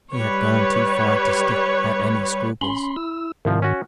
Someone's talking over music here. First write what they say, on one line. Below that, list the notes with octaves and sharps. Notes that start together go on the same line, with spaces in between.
He had gone too far to stick at any scruples.
G3 B4 C#5
C#4 B5 C6
E4 E6
C2 G#2 D#3 F3
C#4 F#4